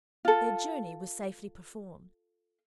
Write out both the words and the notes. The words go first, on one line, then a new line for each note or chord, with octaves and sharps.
Their journey was safely performed.
F4 A4